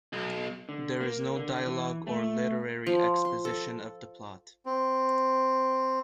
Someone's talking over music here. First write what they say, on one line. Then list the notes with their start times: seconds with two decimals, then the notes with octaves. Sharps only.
There is no dialogue or literary exposition of the plot.
0.13 B1
0.69 D3
1.00 A#3
1.36 D3
1.66 E3
2.07 A3
2.87 F3
3.25 C6
3.45 A4
4.66 C4